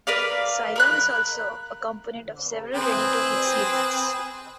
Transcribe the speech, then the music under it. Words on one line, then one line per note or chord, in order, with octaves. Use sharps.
Psyllium is also a component of several ready-to-eat cereals.
A#4 B4 D5 F5
A#4 B5 F#6
C4 G#4 B4